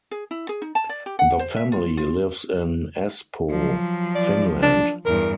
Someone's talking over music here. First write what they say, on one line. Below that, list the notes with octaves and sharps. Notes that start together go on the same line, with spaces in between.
The family lives in Espoo, Finland.
G#4
E4
G#4
D#4
A5
D5
G4
F#5
C5
E5
F4
F4
F3 F#3
D5
D4
E2 G2 A#4